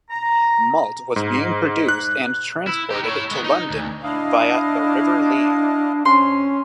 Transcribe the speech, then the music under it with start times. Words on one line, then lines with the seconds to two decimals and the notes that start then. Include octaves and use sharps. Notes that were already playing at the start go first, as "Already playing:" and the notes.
Malt was being produced and transported to London via the River Lea.
0.09 A#5
1.16 G#2
1.89 F#6
2.67 E4
2.91 D#4 G4
3.04 E4 C#5
3.31 G#3 B3
3.44 D#4
3.70 D2
4.03 D4 E4 D#5 F5
6.05 F2 C3 C#4 C6